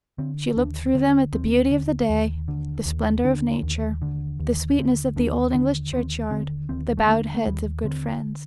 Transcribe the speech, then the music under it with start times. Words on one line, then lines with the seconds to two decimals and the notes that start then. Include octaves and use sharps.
She looked through them at the beauty of the day, the splendour of nature, the sweetness of the old English churchyard, the bowed heads of good friends.
0.18 D3 C4
0.56 D#2 D4
0.95 D3 C4
1.33 D#2 C4
1.71 D3
2.10 D#2
2.48 D3
2.86 D#2
3.24 D3 D4
3.63 D#2
4.02 D3
4.40 D#2
4.79 D3 C4
5.16 D#2 D4
5.54 D3 D4
5.93 D#2 C4
6.31 D3 C4
6.69 D#2 C4
6.98 A3
7.08 D3 A#3
7.34 A3
7.46 D#2 G3
7.84 D3 C4